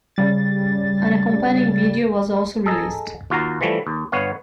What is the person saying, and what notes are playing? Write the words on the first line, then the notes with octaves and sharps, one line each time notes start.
An accompanying video was also released.
C#3 G3 A6
G#4 A4 D#5 A#5
D#2 F4 F#4 F5 A#5
E3 F3 G3 A3
D#2
G1 B3 C#5 F5